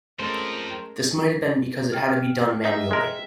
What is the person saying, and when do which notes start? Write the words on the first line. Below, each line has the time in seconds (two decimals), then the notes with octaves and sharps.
This might have been because it had to be done manually.
0.19 F2 G#3 A3 C#4 A#4 C5
1.92 G5 F6
2.65 D#4 E5
2.91 G#3 A#4